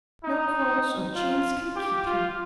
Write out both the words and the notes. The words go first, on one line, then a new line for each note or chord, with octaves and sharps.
No cords or chains can keep him.
D#4
F4
G4
F4